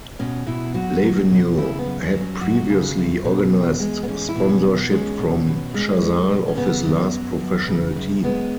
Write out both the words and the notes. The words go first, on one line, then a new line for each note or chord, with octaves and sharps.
Lavenu had previously organised sponsorship from Chazal of his last professional team.
B2 C#4
B2 E4
F#3 F#4
F#3
B2
C#3 E4
B3
F#2
C#4
F#3
C#4
F#2 F#4
C#3
F#2
B2
E2
G#3
B3
E2 C#4
E4
B2
C#4
E2
B3
G#3 C#4
B2
B2
G#3
G#3
B2
C#4
C#3 B3
F#2
F#3
F#2
C#3
F#2
G#3 B3